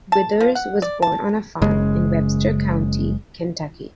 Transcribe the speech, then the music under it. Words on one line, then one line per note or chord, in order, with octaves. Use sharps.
Withers was born on a farm in Webster County, Kentucky.
A5
F3
F#5
D5
A5
F#1 C#3 G#3